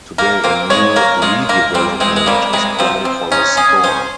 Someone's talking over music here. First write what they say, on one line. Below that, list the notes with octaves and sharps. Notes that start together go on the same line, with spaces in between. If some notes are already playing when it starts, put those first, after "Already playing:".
Today a new redevelopment is planned for the store.
A#3 A#4
A#3 C4
G#3 C#5
A#3 A#4
G#3 F4
A#3 A#4
G3 C4
G#3 C4
G#3
G3 A#3
C3 G#3
F3 C4
C4
C#4 D#4
C#4 G#4
C#4 C5